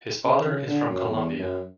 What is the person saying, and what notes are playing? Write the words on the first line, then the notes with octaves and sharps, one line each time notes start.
His father is from Colombia.
C#3
C#3
D3
F#2
E2
F#2